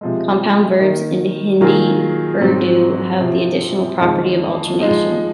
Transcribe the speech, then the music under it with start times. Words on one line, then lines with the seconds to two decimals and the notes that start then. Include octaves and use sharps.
Compound verbs in Hindi-Urdu have the additional property of alternation.
0.01 C3 F3 G#3
0.80 D#3 A#3 D#4
1.61 D#3 F#3 A#3 F4 G#4
2.41 G#2 F#3 C4
3.20 C3 F3 C4
4.01 F2 D#3 G#3
4.81 F3 G#3 D#4